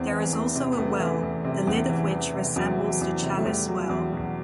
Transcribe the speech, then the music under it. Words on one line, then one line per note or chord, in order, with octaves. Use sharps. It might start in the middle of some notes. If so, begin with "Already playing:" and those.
There is also a well, the lid of which resembles the Chalice Well.
Already playing: E2 C4
E3
E2
C3
B3
E2 A3
E3
E2
C3
E2
E3
E2
C3
E2 F#3
E3
E2
C3
A3
E2 G3
F#3
E2
B2